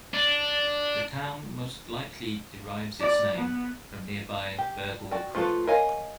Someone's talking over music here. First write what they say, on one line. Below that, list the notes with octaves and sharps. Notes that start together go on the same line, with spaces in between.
The town most likely derives its name from nearby Burgaw Creek.
D4
D5
B3
G4
F#4 D5 G5
F3 A3 F4 A4 B4
A#4 C#5 D#5 F5 G#5